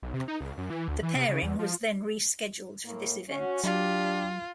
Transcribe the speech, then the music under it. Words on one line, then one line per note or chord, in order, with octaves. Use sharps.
The pairing was then rescheduled for this event.
B1
C3
D#4
C#2
F#2
E3
D2
E3
C3
C#3
E2
F3
A2 A#3
C#4 F#4
F#3 D4 F4 G4